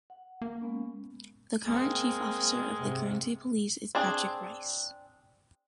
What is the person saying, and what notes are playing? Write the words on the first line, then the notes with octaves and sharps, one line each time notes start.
The current Chief Officer of the Guernsey Police is Patrick Rice.
F#5
A#3 A#4
G#3 B3 C#4
G#3 A#3 C4
G#2 C3
C4 D4 G#4